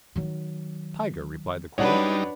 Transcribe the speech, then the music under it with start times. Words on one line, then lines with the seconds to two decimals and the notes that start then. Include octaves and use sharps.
'Tiger?' replied the queen.
0.16 D#3 F#3
1.78 F#2 G3 D4 D#4 B4 C#5 D5 F#5